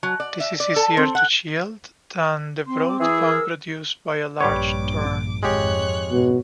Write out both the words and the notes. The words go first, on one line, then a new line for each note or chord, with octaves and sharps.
This is easier to shield than the broad fan produced by a large turn.
F#3
D5
E5
D5
A4
C4
F#5
C4 C6
D6
E3 G#4 E6
A#4
A#1 G2 G3 B4 C#5 D6
G#1 F2 G#3 G4 C#5 F#6
G#2 B2